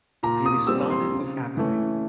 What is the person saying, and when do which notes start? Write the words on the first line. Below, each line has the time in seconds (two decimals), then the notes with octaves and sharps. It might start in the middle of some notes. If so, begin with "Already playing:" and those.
He responded with apathy.
0.23 A#2 A#5
0.46 D#6
0.67 G3 C4 E6
0.90 C6
1.12 C#3
1.57 E3 A3 C#4